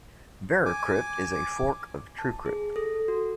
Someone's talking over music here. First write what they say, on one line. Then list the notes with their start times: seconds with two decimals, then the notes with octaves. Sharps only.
VeraCrypt is a fork of TrueCrypt.
0.66 G#5 D6
2.19 A5
2.46 G#4
2.76 A4
3.08 F#4